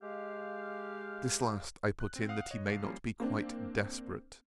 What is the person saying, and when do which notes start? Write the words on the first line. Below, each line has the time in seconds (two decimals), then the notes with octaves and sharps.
This last I put in that he may not be quite desperate.
0.03 G#3 G4 F5
2.00 F#6
2.16 C4
2.29 F5 F#5 D#6 F#6
2.51 C#5 D#5
2.68 C2 F5 C7
2.83 F3 G3 A#3 C#4
3.20 A#3 C4 D4